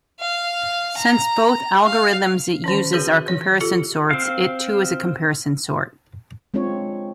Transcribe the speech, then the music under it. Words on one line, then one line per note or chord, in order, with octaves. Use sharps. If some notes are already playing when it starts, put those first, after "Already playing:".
Since both algorithms it uses are comparison sorts, it too is a comparison sort.
F5
A#5
F5
D#3 E3 C#4
F#4 G#4 B4 C#5
E3 C#5
F4 G4 A4
C4 F5
G#3 C4 D4 F4 C#5